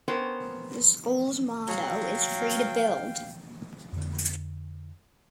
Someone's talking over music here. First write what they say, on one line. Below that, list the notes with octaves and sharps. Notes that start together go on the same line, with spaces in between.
The school's motto is 'Free to Build'.
B3 C#4 A#4 C5 G5
F#3 F5 G5
F2 D3